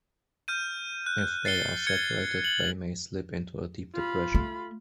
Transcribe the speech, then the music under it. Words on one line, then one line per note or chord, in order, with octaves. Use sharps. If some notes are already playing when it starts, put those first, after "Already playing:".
If they are separated, they may slip into a deep depression.
F6 G6 D#7
F#6
A6 C7 C#7 G7
G#6 C#7
F#7
F4 B5
A3